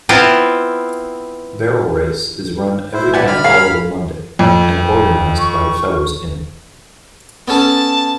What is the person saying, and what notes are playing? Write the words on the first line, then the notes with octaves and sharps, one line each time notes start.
Barrel Race is run every bank holiday Monday, and organised by The Feathers Inn.
B3 C4 E4 F4
E4 C5
G4 B4 D5 E5 F#5 G#5
F#2 D3 B5 F6
G#4 A#4 C#5 F5
F2
C#6
B3 C#4 A4 A5